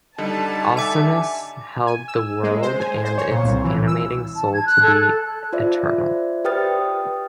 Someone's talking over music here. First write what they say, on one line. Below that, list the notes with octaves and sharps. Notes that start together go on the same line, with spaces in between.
Alcinous held the world and its animating soul to be eternal.
D3 G3 D#4 A5
E5 G#5 D6
G#5
E6
G#3
C5
G#5
C5
C#5
A#2
C2
E3
E6
A5
G#6
F#6
A4
F4 C5 D5 E5
G4 B4 G5 D#6 F6 A6